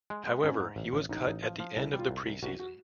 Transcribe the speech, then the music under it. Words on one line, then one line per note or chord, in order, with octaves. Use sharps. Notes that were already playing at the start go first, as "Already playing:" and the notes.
However he was cut at the end of the preseason.
G#3
G#3
G#2 C#4
G#2
A1
A1
A1 D#4
A1
F3
F3
C2 E4
G3
F4
C2
C2
C2 F#4
F#4